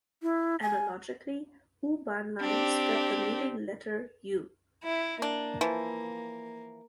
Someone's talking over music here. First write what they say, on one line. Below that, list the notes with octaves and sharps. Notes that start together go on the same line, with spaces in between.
Analogically, U-Bahn lines got the leading letter "U".
E4
G#5
C4 D4 G4
E4
A#3 D4
E3 F3